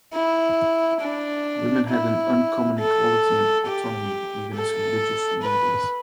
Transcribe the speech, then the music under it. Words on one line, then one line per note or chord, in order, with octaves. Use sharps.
Women had an uncommon equality and autonomy, even as religious leaders.
E4
D4
E4
A4
G4
A4
B4